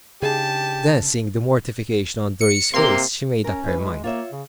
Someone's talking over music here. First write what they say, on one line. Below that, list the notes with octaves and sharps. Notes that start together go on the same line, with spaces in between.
Then seeing the mortification on Dorry's face, she made up her mind.
C#3 D4 D#4 G4 G#4 A5
C#7
C3 A#3 C6
C#4 A#4
E4 B4
G#3
A#3 F4 C#5 E5
C#3